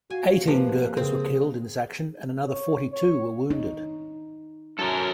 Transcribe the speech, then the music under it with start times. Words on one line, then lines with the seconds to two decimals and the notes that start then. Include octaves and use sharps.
Eighteen Gurkhas were killed in this action and another forty-two were wounded.
0.10 F#4 F5 G#5
0.48 C3 F3 A#3 B4
0.97 C#3 C4 G#4
2.48 C#5
2.93 C#5
3.50 D#4
4.79 F#2 A4 A#4